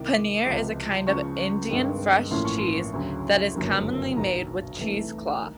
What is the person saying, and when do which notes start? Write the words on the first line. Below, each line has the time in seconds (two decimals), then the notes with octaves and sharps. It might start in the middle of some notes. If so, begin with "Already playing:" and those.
Paneer is a kind of Indian fresh cheese that is commonly made with cheesecloth.
Already playing: C2 C3 D#3 D6
0.45 C#2 C3 F3 G#3
1.07 C#2 C#3 F3 C#6
1.70 G2 D#3 G#3 C4
2.31 A1 A2 F3 A#3 C#4 C6
2.45 C#6
2.58 C6
2.93 D2 C#3 F#3
3.55 G1 F#2 C#3 F#3 A#3
4.16 B1 A#2 F#3 A#5
4.79 C2 C3 E3 A3
5.42 D#3